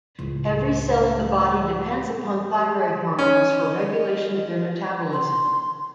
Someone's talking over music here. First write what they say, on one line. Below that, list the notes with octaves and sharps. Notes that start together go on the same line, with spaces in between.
Every cell in the body depends upon thyroid hormones for regulation of their metabolism.
C#2 A2
C#4 D#5
C6